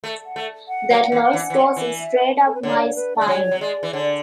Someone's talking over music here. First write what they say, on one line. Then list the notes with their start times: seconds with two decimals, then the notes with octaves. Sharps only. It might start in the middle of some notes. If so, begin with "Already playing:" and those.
That noise goes straight up my spine.
0.04 A3
0.25 F#5
0.36 A3
0.68 F#5
0.91 F#3
1.12 E3
1.33 E3
1.50 E3
1.55 F#3
1.76 E3
1.98 E5
2.47 A4
2.55 B4
2.63 D3 C#5
2.95 B4
3.16 G#3 D5
3.28 F#3 C#5
3.51 F#3
3.61 G#3 D5
3.83 E3
3.93 D3 C#5
4.03 D5